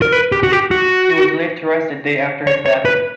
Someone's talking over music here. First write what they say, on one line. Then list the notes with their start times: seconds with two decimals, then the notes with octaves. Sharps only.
He was laid to rest a day after his death.
0.02 A#4
0.12 B4
0.32 G4
0.43 F#4
0.52 G4
0.71 F#4
2.47 C#5
2.66 C#5
2.85 B4